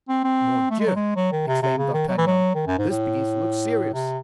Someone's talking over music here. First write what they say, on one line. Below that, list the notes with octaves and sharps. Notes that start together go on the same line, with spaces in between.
"Mordioux!" exclaimed D'Artagnan, "this begins to look serious."
C4
C4
A3
G#3
F#3
G#3
F#3
D#3
C3
C3
C#3
D#3
F#3
E3
F#3
D#3
F#2
G#2
A2
C3